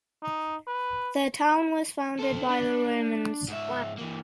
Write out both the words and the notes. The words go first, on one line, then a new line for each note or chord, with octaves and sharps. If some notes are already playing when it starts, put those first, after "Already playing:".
The town was founded by the Romans.
D#4
B4
A4 C5
D4
G#2 E5
E3 A#3